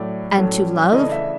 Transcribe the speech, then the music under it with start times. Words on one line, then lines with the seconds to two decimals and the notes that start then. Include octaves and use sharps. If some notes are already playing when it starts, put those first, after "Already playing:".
"And to love."
Already playing: A2 F#3 A3 D5
0.36 A2 F#3 A3 C#4
0.93 C#3 E3 A3 D4 D#5
1.12 E5